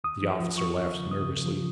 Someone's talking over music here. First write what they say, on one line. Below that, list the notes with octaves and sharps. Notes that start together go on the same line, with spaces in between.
The officer laughed nervously.
D#2 D#6
F3
F3
F3 C#6
D#2
C#3
C#3 D#6
C#3
F3